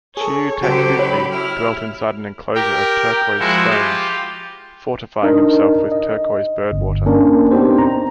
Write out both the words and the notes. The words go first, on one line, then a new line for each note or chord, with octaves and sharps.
Xiuhtecuhtli dwelt inside an enclosure of turquoise stones, fortifying himself with turquoise bird water.
G#4 A4 C#5
C#3 F#3 F#4 G4 A4 C5
C#5 B5
E4 F6
G4 A#4 G5
F3 G#3 E4 F#4
F4 G4
D4 D#4 A#4 D#5
D#5
G1
A#3 C#4 D4 A#4 C#5
B3 C4 D4 D#4 G4 C5
A#5